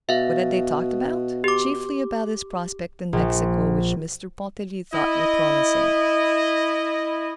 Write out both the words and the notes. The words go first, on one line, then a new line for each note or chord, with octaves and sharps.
What had they talked about? Chiefly about his prospects in Mexico, which Mr. Pontellier thought were promising.
B2 E5 F5
G4 D6
A#1
E4 D#5